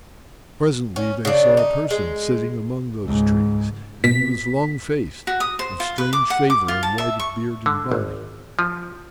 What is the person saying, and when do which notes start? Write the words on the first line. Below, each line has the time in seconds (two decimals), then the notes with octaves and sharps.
Presently, they saw a person sitting among those trees and he was long-faced, of strange favour and white of beard and body.
0.96 C#4
1.25 C#3 D4
1.57 D#4
1.91 G#3
3.04 C#2 G#2
4.04 B2 B6
5.27 F#4
5.40 D#6
5.59 C5
5.80 F4
5.98 B4
6.13 D6
6.30 F#5
6.50 D6
6.68 F4
6.83 A5
6.98 E5
7.19 C#6
7.66 D3
7.92 G#1
8.59 F3